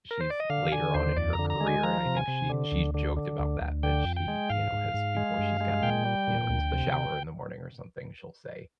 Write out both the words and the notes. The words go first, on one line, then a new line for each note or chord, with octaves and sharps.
she's later on in her career, and I think she she's joked about that, that she, you know, has before she's gotten, you know, into the shower in the morning or something, she'll say
A#4
C5
D5
D#5
D3 F5
D3 G#5
D#2 C5
F2 D5
A#5
D3
A#5
G#3
G#5
F3 A#5
C3
G#5
C3
D3
D2
D3
D3
D2
D2
D3 G5
F2
G5
G#3
G#2 F5
G#2
G#2
G#3
G2
G#3
A#2 G5
G3
A#2
D2
C3